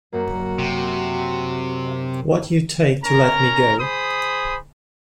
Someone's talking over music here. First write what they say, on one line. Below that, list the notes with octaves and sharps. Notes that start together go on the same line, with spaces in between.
What'll you take to let me go?
F#2 A#3 F#4
C3
C#4 A#4 A#5
G#4 C5 B5 D#6